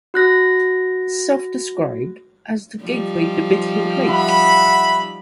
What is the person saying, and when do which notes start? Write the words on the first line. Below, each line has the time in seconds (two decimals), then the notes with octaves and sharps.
Is self-described as the Gateway to Big Hill Lake.
0.14 F#4 F#6 A#6
2.82 F3 G3 D#4
4.06 E5 F#5 B5